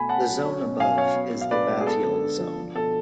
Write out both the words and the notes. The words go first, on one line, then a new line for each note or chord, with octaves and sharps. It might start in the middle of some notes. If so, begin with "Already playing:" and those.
The zone above is the bathyal zone.
Already playing: B2 A3 G#5 B5
C#4 F#5 A5
F#3
C#4
B2
B2 F5 G#5
F#3 C#5 F5
B3
B2
F5
D4 B4 D5
G#3
G#4
B3 A4
D3
D4
F3
D4
B2 A4